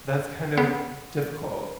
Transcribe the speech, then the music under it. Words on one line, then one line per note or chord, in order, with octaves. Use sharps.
that's kind of difficult.
B3